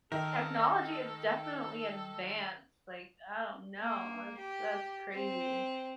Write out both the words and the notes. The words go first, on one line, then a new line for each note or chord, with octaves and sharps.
technology is definitely advanced, like, I don't know, it's that's crazy.
D#3 D#4 A4 A#4
A#3
G4
C4